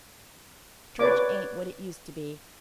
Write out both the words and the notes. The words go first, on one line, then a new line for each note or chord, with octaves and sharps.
Church ain't what it used to be.
B4 C#5 D5 D6